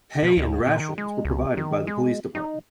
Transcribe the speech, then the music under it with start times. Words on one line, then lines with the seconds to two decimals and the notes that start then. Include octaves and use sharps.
Pay and rations were provided by the police department.
0.23 B2
0.37 D2
0.67 A#2
0.80 D#3
0.98 G#3
1.25 C#2
1.57 D#3
1.87 G#3
2.35 D#4